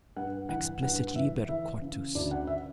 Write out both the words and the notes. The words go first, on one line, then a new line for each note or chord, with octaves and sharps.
Explicit liber quartus.
G2 F#5
E3 F#5
G2 F#5
E3 E5
E3 E5
C#3
D2 D5
F#5
E5